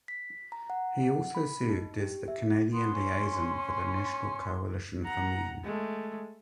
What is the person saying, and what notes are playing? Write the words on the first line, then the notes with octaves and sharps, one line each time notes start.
He also served as the Canadian Liaison for the National Coalition for Men.
B6
A#5
F#5
B5
D#4
G4
E5
B3 C6
C#4
F#5 A#5
G#3 A3